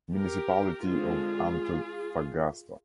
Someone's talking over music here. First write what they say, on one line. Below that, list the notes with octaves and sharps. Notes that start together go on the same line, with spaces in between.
Municipality of Antofagasta.
G4 A#4
D3 G#3 C4 F4 G#4